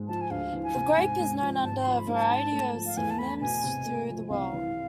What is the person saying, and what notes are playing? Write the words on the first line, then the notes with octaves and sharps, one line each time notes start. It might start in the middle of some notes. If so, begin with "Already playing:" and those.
The grape is known under a variety of synonyms through the world.
Already playing: G#2 G#3
F3 A5
G#5
D2 F5
E3
G#5
C3
G#2
G#3
F3
G#1 A5
C6
F3
B5
G#2
A5
G#2
A3
F3
F5
E2 G#5
A5
A3 B5
B2 G#5
C3
A3
F3
C2 F5
E3